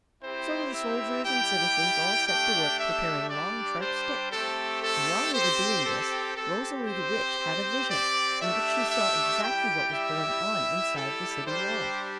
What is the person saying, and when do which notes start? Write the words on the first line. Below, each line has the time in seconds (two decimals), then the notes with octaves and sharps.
So the soldiers and citizens all set to work preparing long sharp sticks, and while they were doing this Rosalie the Witch had a vision in which she saw exactly what was going on inside the City wall.
0.22 C4 E4 G4 C5
0.74 E5
1.25 G3 E4 G4 G5
2.27 A3 D4 G4 G5
2.79 E5
3.29 G3 D4 G4 D5
3.80 C5
4.32 A3 C4 G4 A4
4.83 A4
5.33 C4 G4 C5
5.85 A4
6.36 C4 G4 A4
6.87 C5
7.38 C4 G4
7.89 D5
8.40 A3 D4 G4 E5
8.91 E5
9.42 G3 E4 G4 G5
9.93 E5
10.44 G3 E4 G4
10.96 A4
11.47 G3 D4 G4 C5